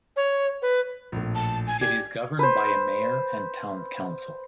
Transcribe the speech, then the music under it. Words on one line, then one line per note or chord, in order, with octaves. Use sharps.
It is governed by a mayor and town council.
C#5
B4
A#1 A2
A5
G#5
G4 D5 G#6
B4 C5